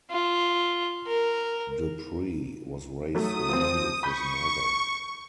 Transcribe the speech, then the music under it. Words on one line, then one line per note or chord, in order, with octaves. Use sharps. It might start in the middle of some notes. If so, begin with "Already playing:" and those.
Dupree was raised alone by his mother.
F4
A#4
F#3 A3 D#6
F3 C4
B5 C#6 G6